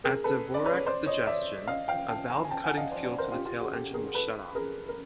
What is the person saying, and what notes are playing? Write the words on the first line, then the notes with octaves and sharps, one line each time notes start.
At Dvorak's suggestion, a valve cutting fuel to the tail engine was shut off.
G#4 A#4
A4 B4
D5
B4 C#5
C5 D5
C#5 D#5
D5 E5
D#5 F5
F5 G5
G5 A5
G#5 A#5
G#5
G5 A5
F#5 G#5
D#5 F5
C5 D5
C5 D5
A#4 C5
F4 G4
F4 G4
F#4 G#4
G4 A4
G#4 A#4
A4 B4
G#4 A#4
A#4